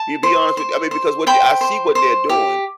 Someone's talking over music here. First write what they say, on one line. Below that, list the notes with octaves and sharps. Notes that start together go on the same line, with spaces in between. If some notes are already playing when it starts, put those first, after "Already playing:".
Be be honest with I mean, because what they I see what they're doing.
Already playing: A5
C5
C5
C5
C5 G5 B5
C5
C5
G4